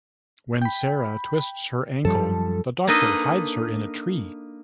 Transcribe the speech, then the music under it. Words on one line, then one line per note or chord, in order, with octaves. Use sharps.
When Sarah twists her ankle, the Doctor hides her in a tree.
G5 B5
F#2 F3 G3 A4
A#3 D4 D#4 A4 B4 D#5